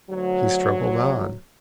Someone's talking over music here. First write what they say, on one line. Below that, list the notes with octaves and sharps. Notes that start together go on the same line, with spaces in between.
He struggled on.
D2 F#3